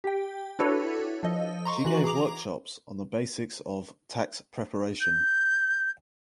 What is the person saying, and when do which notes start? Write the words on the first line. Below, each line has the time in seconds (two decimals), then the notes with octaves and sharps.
She gave workshops on the basics of tax preparation.
0.04 G4 G5
0.59 D4 E4 F#4 A4 B4 C#5
1.23 F3 A4 D#5
1.65 A#5 C6 C#6
1.85 E3 F#4 F#7
2.04 G#4 A#5 D6 F7
5.00 G6